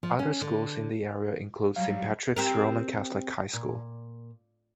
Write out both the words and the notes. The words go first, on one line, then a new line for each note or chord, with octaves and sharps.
Other schools in the area include Saint Patrick's Roman Catholic High School.
F3
C#4
D3
F#3 G3 F5
C4 G4 A#4
A#2